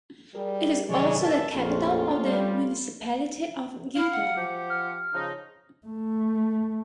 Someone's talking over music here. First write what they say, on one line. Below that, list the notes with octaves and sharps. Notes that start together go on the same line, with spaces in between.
It is also the capital of the municipality of Gytheio.
G3 G4 G#4 A#4
C3 D#3 F#3 G#3 C#5 D5
E2 A#4 E5 A5
A#1 F2 A3 C4 C#4 F4
G3 F5
E4 F5
F#5
F3 G4
F6
C#3 F3 D#4
A3